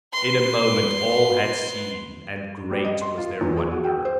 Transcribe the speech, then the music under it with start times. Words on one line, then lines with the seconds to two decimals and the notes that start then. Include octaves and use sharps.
In a moment all had seen, and great was their wonder.
0.13 B4 C6
2.71 G3
2.84 D#5
3.01 C6
3.18 F4
3.41 E2
3.57 G#4
3.71 F#4
3.84 G5
4.05 C5